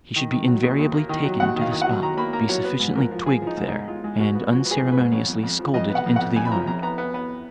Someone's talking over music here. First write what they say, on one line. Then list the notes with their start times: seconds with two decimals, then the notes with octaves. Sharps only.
He should be invariably taken to the spot, be sufficiently twigged there, and unceremoniously scolded into the yard.
0.16 D#3
0.32 D#3
0.48 F#3
0.63 D#2
0.78 D#2
0.94 A#3
1.09 D#3
1.25 F#3
1.40 D#2 F#5
1.56 D#3
1.62 F5
1.71 D#3
1.82 F#5
1.87 F#3
2.02 D#3 A#5
2.17 A#3 B5
2.33 A#3 A#5
2.49 F#3 C#5
2.64 B3 B4
2.80 G#2
2.95 F3 A#4
3.11 F3
3.26 F3 G#4
3.42 F3
3.47 D#4
3.57 G#2
3.68 D#4
3.73 G#2
3.88 G#3 F4
4.04 G#3
4.19 G#2 F#4
4.35 B3
4.50 F3 F#4
4.66 B3
4.71 G#4
4.81 F3
4.92 B4
4.97 G#2
5.12 F2 C#5
5.28 F2
5.43 F2
5.59 F3
5.74 F2 D#5
5.90 B3
5.95 F#5
6.06 F2
6.16 F2 F#5
6.36 F2 G#5
6.45 B5
6.52 F3 A#5
6.67 F2 A#5
6.82 B3 A#5
6.98 B3
7.14 B3